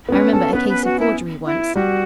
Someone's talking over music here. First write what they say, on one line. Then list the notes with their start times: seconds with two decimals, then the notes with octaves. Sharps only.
I remember a case of forgery once.
0.09 B3
0.12 C#4 B4
0.33 C#4 A4
0.53 B3 B4
0.69 B4
0.85 F#4
0.99 E4
1.45 E4
1.75 G3 F#4